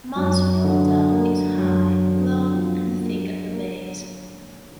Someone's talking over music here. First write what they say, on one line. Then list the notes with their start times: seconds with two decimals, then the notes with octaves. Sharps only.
Mansfield Dam is high, long, and thick at the base.
0.16 F#2
0.64 D3
1.11 A#3
1.58 F#2
2.06 D3
2.53 F3
3.00 A#3
3.48 A#3